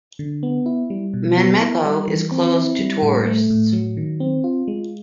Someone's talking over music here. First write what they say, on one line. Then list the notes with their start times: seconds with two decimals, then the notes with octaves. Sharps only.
Menmecho is closed to tourists.
0.19 D3
0.43 B3
0.66 E4
0.90 G3
1.14 B2
1.37 B3
1.61 E4
1.85 G3
2.08 E3
2.31 C4
2.56 E4
2.79 G3
3.02 A2
3.26 A3
3.50 A2
3.73 F#3
3.97 D#3
4.20 C4
4.44 F4
4.68 G#3